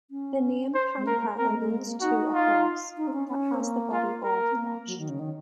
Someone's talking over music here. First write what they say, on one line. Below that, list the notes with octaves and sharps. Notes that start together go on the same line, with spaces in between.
The name Pampa alludes to a horse, that has the body all threshed.
C#4
C5
G#3
A#3 A#4
C4 A#4
G#3
G#3
A#3
C4
A#3
D#4 F#4
F4
D#4
C4
C#4
C#4
C4
A#3
F4
A#4
C4
A#3
F#3
D#3
C#3
D#3